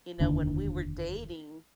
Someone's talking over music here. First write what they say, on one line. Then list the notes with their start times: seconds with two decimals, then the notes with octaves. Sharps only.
you know, when we were dating
0.20 F1 D#2 D3 D4